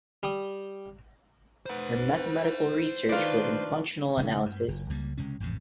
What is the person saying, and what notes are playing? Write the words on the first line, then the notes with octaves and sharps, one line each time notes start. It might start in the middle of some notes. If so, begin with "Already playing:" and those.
Her mathematical research was in functional analysis.
G3 G5 D#6
B4 C5 F#5
D#3 D4 F4 B4
E1 C#3 G#3 C#4
G2
F#1
C#2 G3 A3 A#3
C#2 C3 G#3 C#4
A1 F2 G#2 C#3